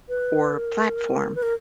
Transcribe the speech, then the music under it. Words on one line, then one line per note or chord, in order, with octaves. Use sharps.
or platform
B4
A#4
B4
A#4